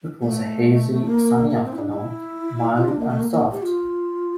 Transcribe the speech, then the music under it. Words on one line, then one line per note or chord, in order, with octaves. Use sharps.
It was a hazy, sunny afternoon, mild and soft.
A3
A#3
A#3
C4
E4
D4
E4
F4
D4
A#3
A3
A#3
A#3
G4
F4